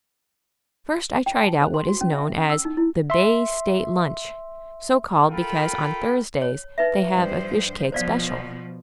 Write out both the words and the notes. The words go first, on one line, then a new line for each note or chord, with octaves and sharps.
First, I tried out what is known as the Bay State Lunch, so called because on Thursdays they have a fishcake special.
G5
A5
C5
C6
F#4
C#4
E5
C#4
E6
D#4
E4
E5 C6
F4 A4 A#4 G5 B5
C#5
D#4 B4 E5
G2 F3 C5
B2 F3 C5 D5 F5